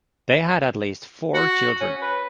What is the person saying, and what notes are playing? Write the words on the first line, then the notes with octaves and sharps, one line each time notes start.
They had at least four children.
F#4
C#4
B4